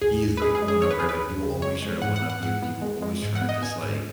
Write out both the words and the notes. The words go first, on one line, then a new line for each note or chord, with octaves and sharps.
he is, like, the one upper. Like, he will always try to one up you. He will always try to just, like,
D#2 G#4
D#2
B4
G#3 G#4
G#4
G#3
G#4
D#2 C#5
B4
D#2 G#4
B4
D#2
C#3
G#3 C#5
G#3
G#2 F#5
F#5
B3
F#5
G#2 F#5
B3
G#3
G#3
G#2
F#5
B3
D#5
B3 G#5
G#2